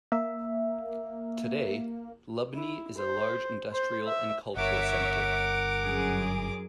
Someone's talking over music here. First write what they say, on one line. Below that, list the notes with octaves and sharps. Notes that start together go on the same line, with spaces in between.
Today, Lubny is a large industrial and cultural centre.
A#3 E5
E4
C5
C5
E5
G1 A#4 C#5 E5 F#5 D6
F#2 G#4